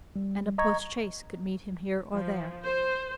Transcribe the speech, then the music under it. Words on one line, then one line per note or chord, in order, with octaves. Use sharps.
And a postchaise could meet him here or there.
G3
D#5 A#5 C#6 G#6
F3
C5